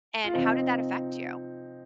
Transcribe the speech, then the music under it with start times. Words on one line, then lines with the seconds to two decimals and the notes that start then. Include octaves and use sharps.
and how did that affect you?
0.24 F4
0.33 C3 F3 C4 D#4